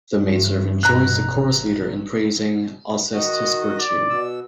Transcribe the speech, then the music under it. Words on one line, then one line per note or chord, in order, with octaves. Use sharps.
The maidservant joins the chorus-leader in praising Alcestis' virtue.
G2 C#3 E3
G2 B2 A#5 F#6
A1
D#3 F#4 D#5
D5
B2 E6